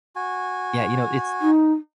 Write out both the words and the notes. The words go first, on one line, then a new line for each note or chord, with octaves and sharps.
yeah, you know, it's
F#4 G#5
D#4